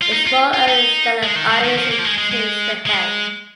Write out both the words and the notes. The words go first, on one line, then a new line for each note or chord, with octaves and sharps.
A small early study of "Iris" retains the head.
F4
D#4
F4
F4
D#4
G#3
D#3
G#3
D#3
F3
A#3
F3
G#3
G#3
G#3
G#3